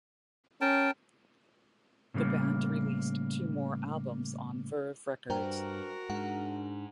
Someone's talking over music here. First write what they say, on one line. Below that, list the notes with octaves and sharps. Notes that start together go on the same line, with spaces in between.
The band released two more albums on Verve Records.
C#4 A#4 G5 A5
A2 C#3 G3 A#3
G2 F#4 A#4 C5 G5 A#5
G#2 D4 F#5